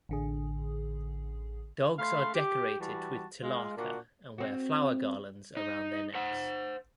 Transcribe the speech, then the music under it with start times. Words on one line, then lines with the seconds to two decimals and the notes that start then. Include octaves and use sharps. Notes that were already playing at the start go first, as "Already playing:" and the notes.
Dogs are decorated with tilaka and wear flower garlands around their necks.
0.09 A1 D3 G#4
1.99 A3 F5 B5 C6
2.35 G4
2.79 E3 G3 F#4 A5
3.42 G#3 F4
3.76 A#2 A#3 D4 F#4
4.38 C4 F#4
5.57 D#4
6.15 C5 F#5